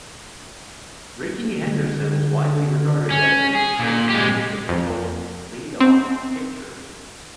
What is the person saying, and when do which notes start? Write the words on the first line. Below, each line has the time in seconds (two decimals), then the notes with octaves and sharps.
Rickey Henderson is widely regarded as the prototypical leadoff hitter.
1.67 D3
3.11 C#4
3.55 G#4
3.80 A#2
4.10 G#3 G4
4.69 F2
5.81 C4